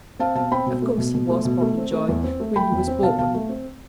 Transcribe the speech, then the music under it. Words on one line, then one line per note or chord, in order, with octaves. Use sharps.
Of course he was Popenjoy when he was born.
C4 F5 A5
B2 F5 A5
C4 G5 B5
B2
A3
B2
B2
A3
B2
A3
C4
A3
E2
C4
A3
A3 G5 B5
E2
C4
B2 F5 A5
B2 F5 A5
A3
C4